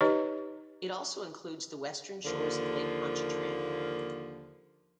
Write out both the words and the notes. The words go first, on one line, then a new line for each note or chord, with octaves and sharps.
It also includes the western shores of Lake Pontchartrain.
D#4 G4 B4 C#5 D#5
D#2 D3 F3 A#3